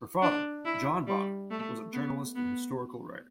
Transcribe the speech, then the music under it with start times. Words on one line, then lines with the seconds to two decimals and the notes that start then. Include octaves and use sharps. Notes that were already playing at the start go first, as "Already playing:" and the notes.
Her father, John Bonner was a journalist and historical writer.
0.22 D4
0.65 E4
1.07 G3
1.51 A3
1.93 B3
2.35 B3